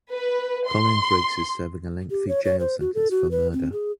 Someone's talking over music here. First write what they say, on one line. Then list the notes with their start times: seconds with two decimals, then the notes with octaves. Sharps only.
Colin Briggs is serving a lengthy jail sentence for murder.
0.13 B4
0.69 C6
2.11 G4
2.28 C#5
2.44 C#5
2.60 C5
2.80 F#4
2.95 A4
3.11 F#4
3.31 B4
3.53 C4
3.72 G#4